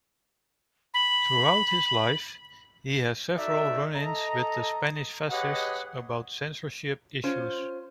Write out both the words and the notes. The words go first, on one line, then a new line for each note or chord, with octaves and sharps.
Throughout his life, he had several run-ins with Spanish fascists around censorship issues.
B5
D#4 F#4 A4 D5 E5
A4 D#5 A#5
G4 G#4 B4 C#5 D#5 F#5
C#4 F4 C5